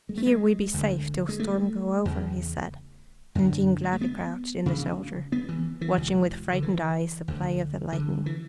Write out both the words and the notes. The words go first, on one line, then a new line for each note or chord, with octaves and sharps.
"Here we be safe till storm go over," he said, and Jean gladly crouched in the shelter, watching with frightened eyes the play of the lightning.
G#3
A3
G#3
D2 D3
G#3
A3
E2 C#3
F#2 D3
G#3
A3
B3
D2 C#3
B3
E3
E3
C#2 B2
D3
E3
D2 D3
D3
E3